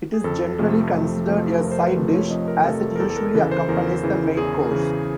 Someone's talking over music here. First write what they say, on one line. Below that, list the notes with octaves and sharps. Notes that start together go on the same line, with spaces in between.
It is generally considered a side dish, as it usually accompanies the main course.
G#4
F2 A4
C3 F3 A3
F2
C3 F3 A3
F2 A#4
C5
B4
C3 F3 A3 C5
C#5
F2 D#5
A#4
C3 F3 A3 A4
A4
A#4
E2 A4
A4
A#4
C#3 E3 B4
C5
E2 A#4
C#3 E3
E2 G#4
C#3 E3